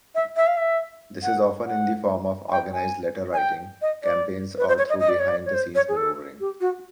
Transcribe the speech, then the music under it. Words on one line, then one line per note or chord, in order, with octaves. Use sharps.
This is often in the form of organized letter-writing campaigns or through behind-the-scenes manoeuvring.
E5
E5
F5
E5
F#5
F#5
G#5
G5
G#5
G#5
G5
D#5
D5
B4
C5
C#5
D#5
D#5
D5
C#5
D5
C#5
C5
C#5
G#4
A4
G4
F#4